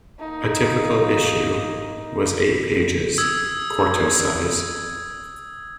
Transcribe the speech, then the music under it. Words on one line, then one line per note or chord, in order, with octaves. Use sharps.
A typical issue was eight pages, quarto size.
A#3 D#4
D#6 E6 G#6